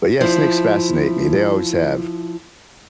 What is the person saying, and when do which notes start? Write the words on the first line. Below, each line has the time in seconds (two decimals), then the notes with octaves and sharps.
but, yeah, snakes fascinate me, they always have.
0.21 F3 E4